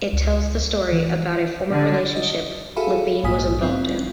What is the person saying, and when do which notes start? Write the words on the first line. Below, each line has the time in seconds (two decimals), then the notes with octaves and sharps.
It tells the story about a former relationship Levine was involved in.
0.13 C#2
0.92 E3
1.72 D3
2.16 D#5
2.76 F#4 G#4 A4 E5 F5 B5
3.24 A#1 G#2 A#3 G#5 D#6 B6
3.60 F#3 B3 C4 F4